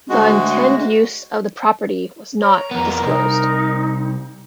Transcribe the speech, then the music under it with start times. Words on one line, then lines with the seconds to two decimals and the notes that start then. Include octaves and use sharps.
The intend use of the property was not disclosed.
0.10 D2 G#3 F#4
2.41 C#5 A#5
2.71 F2 B3 A#4
3.04 C2 D#4